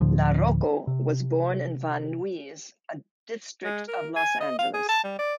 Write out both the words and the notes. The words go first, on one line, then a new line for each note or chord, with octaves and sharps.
LaRocco was born in Van Nuys, a district of Los Angeles.
D2 A2 D3 F3
C3
G#3
A#4
G#5
D#5
F5
G#4
A5
G3
D5